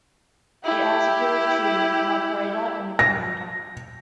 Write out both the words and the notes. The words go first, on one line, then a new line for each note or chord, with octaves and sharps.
It has a crew of two, an operator and a commander.
E4 G4
A#6